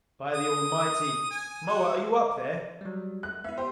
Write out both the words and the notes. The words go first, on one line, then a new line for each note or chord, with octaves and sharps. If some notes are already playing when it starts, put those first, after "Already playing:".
By the Almighty, Moa, are you up there?
D#6
G#5
F#4
F#3 G3
G#3 F#6
B3 E4 E5
G4 C5